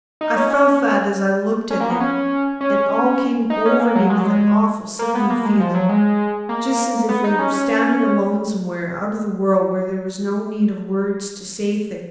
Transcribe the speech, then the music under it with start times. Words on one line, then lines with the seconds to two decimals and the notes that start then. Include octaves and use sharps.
I felt that as I looked at him--it all came over me with an awful sickening feeling--just as if we were standing alone somewhere out of the world where there was no need of words to say things.
0.21 D#4
0.36 C#4
0.51 C#4
1.70 C#4
1.80 A#3
1.90 B3
2.00 C#4
2.61 C#4
3.50 D#4
3.65 C#4
3.80 A#3
3.95 F#3
4.10 G#3
4.17 F#3
4.24 G#3
4.99 A#3
5.15 B3
5.30 A#3
5.45 G#3
5.60 F3
5.74 F#3
5.89 G#3
6.49 A#3
7.09 B3
7.24 D#4
7.39 C#4
7.54 C#4
7.69 C#4